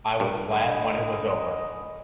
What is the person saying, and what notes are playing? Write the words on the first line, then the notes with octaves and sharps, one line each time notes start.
I was glad when it was over.
G2
D3 D#5 G#5 B5